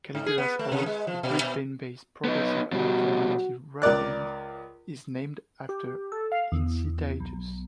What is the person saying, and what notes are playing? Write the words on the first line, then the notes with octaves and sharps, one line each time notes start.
Caligula's Horse, a Brisbane-based Progressive Alternative Rock band, is named after Incitatus.
G#2
G#4
B3
A3
C3
G#3
F3
B2
B2
B3 D#4
B2 G3 F#4
C#2 A#4 D5 F#6
G4
A4
F5
E2
B1